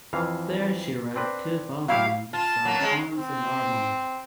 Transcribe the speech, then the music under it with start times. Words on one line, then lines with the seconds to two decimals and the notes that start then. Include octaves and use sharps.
There she wrote two volumes on Arms and Armour.
0.13 F2 E3 F5
1.16 C4 D4 B4
1.88 F#3 E4 G4 F5
2.33 F4 A5
2.65 F#3 A#3
2.79 G#3 C#4
3.15 C4